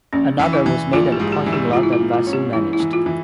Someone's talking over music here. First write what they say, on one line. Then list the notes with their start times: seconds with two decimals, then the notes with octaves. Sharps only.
Another was made at the parking lot that Vasu managed.
0.13 A#1 C#4
0.39 E3
0.53 E4
0.66 E3
0.93 A#1 F4
1.12 G4
1.20 G#2
1.32 G4
1.46 E3
1.53 G4
1.73 G#2 F4
1.83 E4
1.93 F4
2.00 A#3
2.14 F4
2.27 C#4
2.33 G4
2.53 E3 E4
2.73 E4
2.80 E3
2.93 F4
3.06 E3